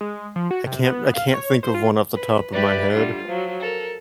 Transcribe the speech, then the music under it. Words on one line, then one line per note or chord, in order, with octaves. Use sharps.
I can't I can't think of one off the top of my head.
G#3
F3
F#4
C3
B3
F5
C#5
C5
F4
B4
G4 B4 D5 E5
D3 G3 F4
F3 F#3
A4 A#4